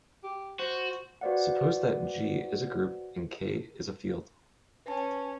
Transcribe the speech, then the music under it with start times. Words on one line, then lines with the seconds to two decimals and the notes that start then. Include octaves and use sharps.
Suppose that "G" is a group and "K" is a field.
0.24 G4
0.59 F#4 C5
1.21 F#4 B4 C5 D5 F5 F#5
4.86 C#4 B4 A5